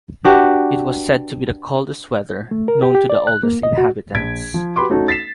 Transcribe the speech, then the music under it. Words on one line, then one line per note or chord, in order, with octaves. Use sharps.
It was said to be the coldest weather known to the oldest inhabitants.
D4 F#4 G4 B4
A3
A#4
G4
G4
D5
F#6
A#3
D#5
F#4
A#1 G#6 B6 D7
F3
F#4 G4 B4 B5 C6 D6
A3 C#4 D#4 F#4 A4
A6 B6 C7 E7